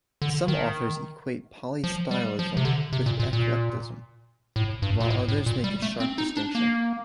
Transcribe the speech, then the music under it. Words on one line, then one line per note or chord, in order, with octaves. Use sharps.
Some authors equate polystylism with eclecticism, while others make a sharp distinction.
D3
D#3
F3
G3
F3
C3
D3
C3
A#2
A#2
A#2
A2
G2
A#2
A2
A2
A#2
G3
A3
C4
D#4
D4
A#3